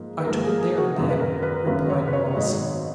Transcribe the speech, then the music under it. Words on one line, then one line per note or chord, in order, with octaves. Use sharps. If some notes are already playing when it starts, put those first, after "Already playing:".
"I took it there and then," replied Mollison.
Already playing: G#2 F3 A#3
B4
G#2 F3 A#3 A#4
G#4
G#4
F#4
G#1 F#2 C#3
B4
A#4
B4
G#1 F#2 C#3 B4
C#5
B4
C#5
C#5
G#1 G#2 F#3 D#5